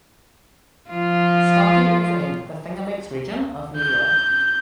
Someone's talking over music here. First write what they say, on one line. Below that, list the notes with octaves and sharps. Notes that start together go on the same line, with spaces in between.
Starkey is in the Finger Lakes Region of New York.
F3 F4
G6